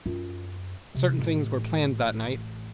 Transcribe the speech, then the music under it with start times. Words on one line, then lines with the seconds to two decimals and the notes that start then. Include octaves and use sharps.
Certain things were planned that night.
0.06 F#2 F4
0.95 C3
1.19 A1